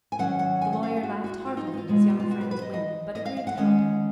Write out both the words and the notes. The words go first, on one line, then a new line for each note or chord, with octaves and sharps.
The lawyer laughed heartily at his young friend's whim, but agreed to help him.
G#5
D#3 F#3 C#4 F#5
F#5
G#5
F#5
F5
G#4
F#4
F#4
F4
D#4
F4
D#4
F4
B2 G#3 B3 D#4
D#4
F4
F#4
B4
B4
D#5
D#5
D#5
F5
F5
F#5
D#3 G#3 C#4 F#5